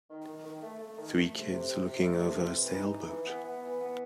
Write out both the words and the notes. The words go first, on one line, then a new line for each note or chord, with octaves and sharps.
Three kids looking over a sailboat.
D#3
D#3
D#3
A3
A3
D#3
A3
C3
C3
C3
C3
A3
C3
C3
E3
D#4
E3
E3
B3
B3
E3
B3